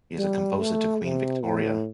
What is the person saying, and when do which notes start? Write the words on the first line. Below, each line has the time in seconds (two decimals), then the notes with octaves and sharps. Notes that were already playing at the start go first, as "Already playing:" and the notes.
He is a composer to Queen Victoria.
0.17 G3
0.59 A3
1.02 C3
1.44 A2